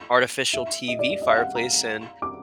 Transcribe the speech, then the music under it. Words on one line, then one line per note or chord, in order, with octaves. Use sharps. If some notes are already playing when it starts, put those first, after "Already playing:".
artificial, TV fireplace and
E5
D#5
D5
D5
D#5
F5
F#5
A#5
D6